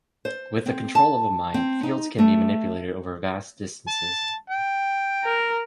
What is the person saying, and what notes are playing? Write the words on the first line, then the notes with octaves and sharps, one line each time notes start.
With the control of a Mind, fields can be manipulated over vast distances.
C5
C4
A5
C4
D#4
A3
A5
G5
A#4